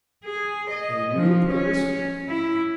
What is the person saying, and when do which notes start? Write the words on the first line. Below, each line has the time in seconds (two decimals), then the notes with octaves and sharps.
"And you, Purvis?"
0.25 G#4
0.70 D#5
1.14 F3
1.51 C#4
2.29 E4